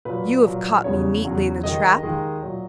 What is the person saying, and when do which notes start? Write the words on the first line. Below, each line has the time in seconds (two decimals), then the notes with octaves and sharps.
You have caught me neatly in a trap!
0.05 A#2 F#3 B4
0.45 A#2 F#3
0.84 E2 C#3 F#3 C#5
1.24 E2 C#3 F#3
1.63 D#2 D#3 G#3 D#5
2.03 D#2 D#3 G#3
2.42 A#2 F#3